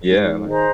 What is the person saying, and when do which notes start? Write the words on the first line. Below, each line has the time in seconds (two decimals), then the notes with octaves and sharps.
Yeah, like
0.11 G#2
0.47 D#3 G#4 C5 D#5 A#5